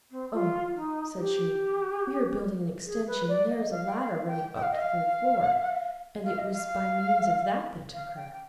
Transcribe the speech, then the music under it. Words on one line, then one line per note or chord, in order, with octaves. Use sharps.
"O," said she, "we are building an extension, and there is a ladder running up to the third floor, and it was by means of that they took her."
C4
F4
D#4
G4
G#4
B4
D5
D#5
F5
G5
F5
G5
G5
F5
D#5
F5
F5
D#5
F5
F5
G5
G5